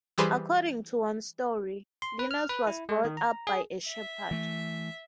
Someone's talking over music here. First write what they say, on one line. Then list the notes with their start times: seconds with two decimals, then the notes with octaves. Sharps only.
According to one story, Linus was brought up by a shepherd.
0.18 E3 G3 G4 G#4 B4 C5
2.02 C6
2.19 B4
2.31 F6
2.49 B4
2.67 E4
2.89 G#3
3.05 D#3
3.17 A#5
3.47 G#4
3.87 E5
4.31 E3 A3